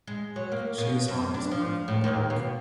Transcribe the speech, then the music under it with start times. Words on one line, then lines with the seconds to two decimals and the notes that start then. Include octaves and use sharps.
She is honest and hardworking.
0.07 G#3
0.36 F#3
0.52 A#3
0.78 B2
1.08 F#2
1.34 D4
1.51 F3
1.88 A2
2.04 D#2
2.30 B2